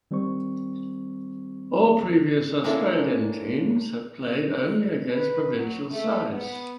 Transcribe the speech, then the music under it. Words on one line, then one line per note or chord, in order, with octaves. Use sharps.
All previous Australian teams had played only against provincial sides.
D#3 G3 C4 C5 C#6
G#3 A#3 C#4 D4 E4 A4
B4
F#3
A3
B3